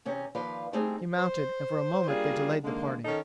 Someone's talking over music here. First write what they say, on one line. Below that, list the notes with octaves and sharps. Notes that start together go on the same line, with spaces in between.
He mounted and for a moment they delayed the parting.
E2 C3 C#4
D#2 F3 F4 B4 D5 F5
G3 A3 C4 D4 D#4 G#4
C5
G3 A#3 D4 F4 G#4
D3 D#3 G#3 A#3
D#3 C#4 D#4 A4